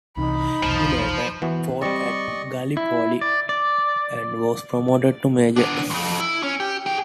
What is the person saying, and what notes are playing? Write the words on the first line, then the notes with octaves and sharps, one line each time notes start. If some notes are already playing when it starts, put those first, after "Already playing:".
He later fought at Gallipoli, and was promoted to major.
C2 C3 E3 D#4 B5
F1 B1 E2 F3
E3 B3 F#4
G3 C4 D5 D#5 C#6
E4
D5
D5
B3 D4
C2 F2
E4
C#4
G4
G#4 G5